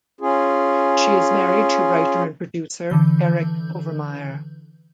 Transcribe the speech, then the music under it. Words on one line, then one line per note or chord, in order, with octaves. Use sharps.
She is married to writer and producer Eric Overmyer.
C#4 F4 G#4
D3 E3 G6